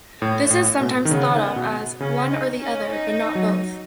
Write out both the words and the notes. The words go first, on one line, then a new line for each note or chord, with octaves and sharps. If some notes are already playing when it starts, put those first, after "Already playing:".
This is sometimes thought of as "one or the other but not both".
A2 A3
A2
B2
D#3
C#3 B3
B2
C#3 C#4
D#4
C#4
D#4
F#3